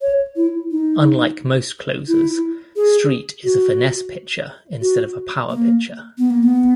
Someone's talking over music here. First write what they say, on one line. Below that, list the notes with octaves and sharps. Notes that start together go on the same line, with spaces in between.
Unlike most closers, Street is a finesse pitcher instead of a power pitcher.
C#5
E4
D#4
E4
G#4
F#4
F#4
A#3
B3
A#3
B3